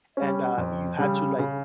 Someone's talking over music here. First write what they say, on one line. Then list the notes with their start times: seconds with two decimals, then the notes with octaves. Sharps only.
and, uh, you had to, like,
0.17 G3 C#4
0.58 F2
0.98 C#3 G3
1.39 C#3